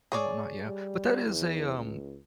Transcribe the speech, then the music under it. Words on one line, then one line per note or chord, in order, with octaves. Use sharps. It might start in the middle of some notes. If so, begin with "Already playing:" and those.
and whatnot, yeah, but that is a, um
G#4 C#5 D5
G3
E2
C#2